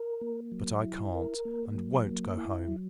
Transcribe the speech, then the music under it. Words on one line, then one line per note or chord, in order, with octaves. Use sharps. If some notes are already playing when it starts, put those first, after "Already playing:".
But I can't, and won't, go home.
Already playing: A#4
A#3
F#3
E4
A#4
A#3
F#3
A#3
E4
F#3